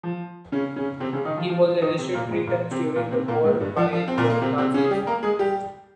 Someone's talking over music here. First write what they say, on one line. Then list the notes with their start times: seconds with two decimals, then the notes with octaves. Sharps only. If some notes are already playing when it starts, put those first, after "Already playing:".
He was arrested three times during the war by the Nazis.
0.03 F3
0.52 C#3 C#4
0.76 C#3 C#4
1.00 C3 C4
1.13 C#3 C#4
1.25 D#3 D#4
1.37 F3 F4
1.49 F3 F4
1.66 F3 F4
1.81 D#3 D#4
1.98 C3 C4
2.14 A#2 A#3
2.31 G#2 G#3
2.47 A#2 A#3
2.71 C3 C4
2.96 A#2 A#3
3.11 C3 C4
3.28 A#2 A#3
3.44 G#2 G#3
3.60 G2 G3
3.77 F3
3.93 F3
4.08 C4
4.17 A#2 A#3
4.30 A#3
4.41 C3 C4
4.58 C3 C4
4.74 C#3 C#4
4.84 G#4
4.91 G3 G4
5.07 A#3 A#4
5.23 G#3 G#4
5.39 G3 G4